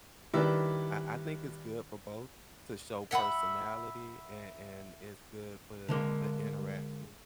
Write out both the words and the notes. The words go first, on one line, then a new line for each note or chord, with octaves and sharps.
I I think it's good for both to show personality, and and it's good for the interaction,
D#3 G3 D4 E4 B4
E5 F#5 G#5 B5
D3 G#3 A#3